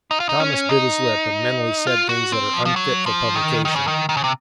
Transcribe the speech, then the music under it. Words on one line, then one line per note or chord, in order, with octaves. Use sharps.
Thomas bit his lip, and mentally said things that are unfit for publication.
D#4
F4
D#4
C#4
D#4
F4
F#4
C4
F3
F3
F#3
F3
D#3
D#3
C#3
D#3
D#3
C#3
C3